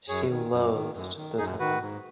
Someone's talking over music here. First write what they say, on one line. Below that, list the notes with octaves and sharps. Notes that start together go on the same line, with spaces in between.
She loathed the town.
F#2 G#4 C#5
D#3
F#2
D#3
F#2
D#3
F#2 D#4 G#4
D#3 F#4 B4
G#2